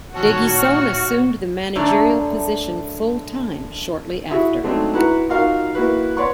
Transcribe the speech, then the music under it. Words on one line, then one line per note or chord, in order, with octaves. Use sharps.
De Guisson assumed the managerial position full-time shortly after.
A#2 D#3 F#3 C#4 F#4 C#5 A5
F#5 F6
F#2 D3 A3 D4 C#5 D5
E4 F#4 G#4 E5
F#3 G#3 A3 C4 D4 D#4
E4 F#4 B4 F#5 A#5
D#4 F4 F#4 A#4 F5
A#3 E4 F#4 B4
B4 C#5 D5 F#5 C6 C#6